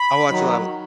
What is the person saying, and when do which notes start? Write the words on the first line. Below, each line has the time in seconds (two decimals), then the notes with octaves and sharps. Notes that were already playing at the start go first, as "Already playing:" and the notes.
I watch a lotta
Already playing: B5
0.27 D#3 F#3